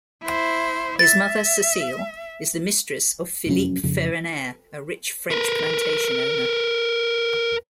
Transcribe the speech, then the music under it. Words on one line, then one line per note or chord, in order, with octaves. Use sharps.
His mother, Cecile, is the mistress of Philippe Ferronaire, a rich French plantation owner.
E4 C5
E5 A6
F1 F#2 C#4
F2 C#3
A#4 B4